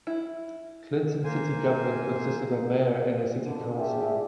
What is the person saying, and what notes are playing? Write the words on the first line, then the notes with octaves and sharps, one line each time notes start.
Clinton city government consists of a mayor and a city council.
E4
A#3 C5 G#5
B2 D3
D4 F4 G4 G#4 E5